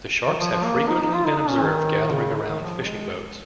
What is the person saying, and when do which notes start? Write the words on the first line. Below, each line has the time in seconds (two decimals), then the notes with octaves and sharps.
The sharks have frequently been observed gathering around fishing boats.
0.26 D#3
0.39 F3
0.51 F3
0.64 A#3
0.88 D#4
1.02 D#4
1.13 F4
1.26 D#4
1.38 D#4
1.49 C#4
1.63 D#3
2.12 C#3
2.36 D#3
2.50 D#3
2.61 F3
2.85 G#3